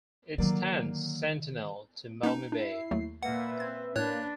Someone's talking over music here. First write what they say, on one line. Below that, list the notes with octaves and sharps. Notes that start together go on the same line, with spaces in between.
It stands sentinel to Maumee Bay.
D3 D#3 F#3 A#3 D5
A#3 C#4 D#4
D4 E4 C7
D#2 F#3 A3
A#2 A#3 B4 E5 F#5
C4 G#6
A2 A#3 D4 B4 C#5 F#6